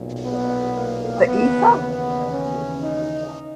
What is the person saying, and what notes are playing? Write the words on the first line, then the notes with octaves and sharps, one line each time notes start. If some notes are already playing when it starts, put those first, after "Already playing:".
The ether?
Already playing: B1 A#2
B3
A#3
D#2 C#3 E3 B3
B3
C#4
D#4